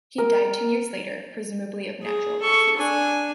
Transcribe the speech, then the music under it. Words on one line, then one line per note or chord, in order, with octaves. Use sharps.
He died two years later, presumably of natural causes.
A#4
G#4
A4 C#6
D4 G#5